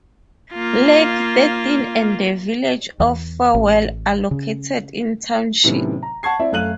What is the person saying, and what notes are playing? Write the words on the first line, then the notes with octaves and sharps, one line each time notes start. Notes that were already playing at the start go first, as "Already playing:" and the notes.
Lake Thirteen and the village of Farwell are located in the township.
A#3 F4
E2
A1
C#3
A2 C3 D#3 F#3 B3 C#4
A#5
F#5 A5 C#6 G#6 C7
C4 E4 D5 E5
F#2 A3 F5 F#6 D#7 F#7